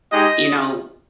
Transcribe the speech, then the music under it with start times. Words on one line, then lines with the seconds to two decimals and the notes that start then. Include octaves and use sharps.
you know
0.11 G#3 D#4 G4 D#5